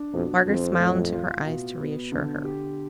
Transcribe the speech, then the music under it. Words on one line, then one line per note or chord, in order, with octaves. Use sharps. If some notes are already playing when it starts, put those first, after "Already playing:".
Margaret smiled into her eyes to re-assure her.
Already playing: D4
F2 B2
F2 C4
A2
F4
B2
B3
D3
G4